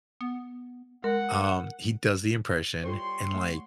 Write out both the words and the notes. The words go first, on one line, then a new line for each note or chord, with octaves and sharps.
um, he does the impression and, like
B3
G#3 A#4 F#5
G3 F4 A4 C5 C#5 C6
A3 F#5